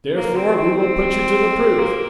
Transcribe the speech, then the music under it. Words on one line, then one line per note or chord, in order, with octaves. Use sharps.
Therefore we will put you to the proof.
A#3
C4
C4
C4
A#3